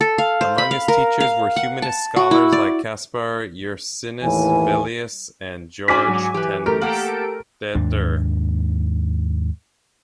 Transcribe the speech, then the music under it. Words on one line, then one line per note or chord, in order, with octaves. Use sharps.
Among his teachers were humanist scholars like Kaspar Ursinus Velius and Georg Tannstetter.
A4
F5
C5
B5
F5
A#4
F5
F#5
A5
F#4
E4
D5
D#2 A2 E3 G#5
C#4 D4 F#4 G#5 D6 B6
G#2 F#3
E3 G4 B4
A3 G4 A#4
A#3 G4 A4 F#5 D7
D#2 G#2 D4